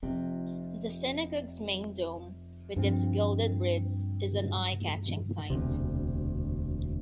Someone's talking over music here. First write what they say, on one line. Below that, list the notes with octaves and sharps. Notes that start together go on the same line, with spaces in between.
The synagogue's main dome with its gilded ribs is an eye-catching sight.
F1 F2 C3
G2 F3 C4
E1 D2 C3